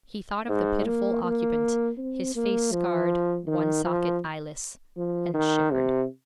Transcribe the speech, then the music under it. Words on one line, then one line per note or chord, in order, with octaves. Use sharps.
He thought of the pitiful occupant--his face scarred, one socket eyeless--and shivered.
G#2
A#3
A#3
C4
A#3
F3
D#3
F3
F3
D#3
C3